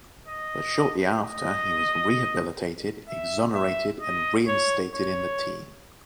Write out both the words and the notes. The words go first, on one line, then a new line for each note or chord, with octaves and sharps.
But shortly after, he was rehabilitated, exonerated, and reinstated in the team.
D#5
D#5
E5
E5
D#5
C#5
C#5